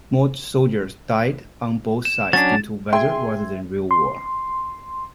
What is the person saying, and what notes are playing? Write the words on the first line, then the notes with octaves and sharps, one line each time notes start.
More soldiers died on both sides due to weather, rather than real war.
E7
F#3 C#4 D4 A6
G#4 E5 G5 C6 G#6
C6